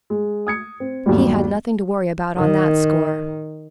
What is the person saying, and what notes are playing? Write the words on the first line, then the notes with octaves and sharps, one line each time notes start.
He had nothing to worry about on that score.
G#3
D#6 G#6 C#7
C4
G1 D#2 F#3 G3
D#3